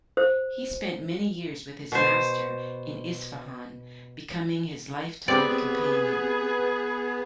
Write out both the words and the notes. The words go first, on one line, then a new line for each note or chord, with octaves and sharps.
He spent many years with his master in Isfahan, becoming his lifetime companion.
C5
B2 C5
B3 C4 G4 G#4 B4 D5